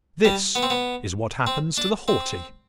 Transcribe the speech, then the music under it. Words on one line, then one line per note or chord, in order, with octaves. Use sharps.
This is what happens to the haughty.
G3
B3
C4
B3
C4
D4
C4